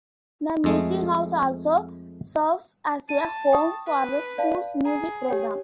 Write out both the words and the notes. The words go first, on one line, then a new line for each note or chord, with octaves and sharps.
The Meetinghouse also serves as a home for the school's music program.
F2 G#3 A3
A5 D#7
G5 C#6 D#6
B4
D5 F5 A5
G#4 A#5
G4 C#5 G5